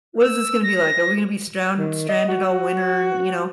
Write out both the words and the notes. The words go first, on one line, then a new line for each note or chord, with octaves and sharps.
"What is this gonna be like? Are we gonna be stround stranded all winter, you know?"
E6
A#6
D#3
D#5
F#4